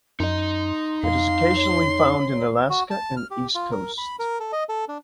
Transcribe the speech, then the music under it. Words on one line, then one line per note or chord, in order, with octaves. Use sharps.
It is occasionally found in Alaska and the East Coast.
F#2 D#4 D#5 C6
F2 F5 C6
C#5
F#4
A5
F6
G4
F4
A#4
B5
A#4
A4
D#5
A4
D4